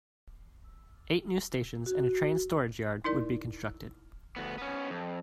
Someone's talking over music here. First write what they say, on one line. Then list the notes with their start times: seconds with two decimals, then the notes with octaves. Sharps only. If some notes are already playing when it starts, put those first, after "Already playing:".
Eight new stations and a train storage yard would be constructed.
1.86 F#4
3.04 D#4 E4 A#4 D5
4.36 D2 B3
4.58 B3 C#4
4.90 F2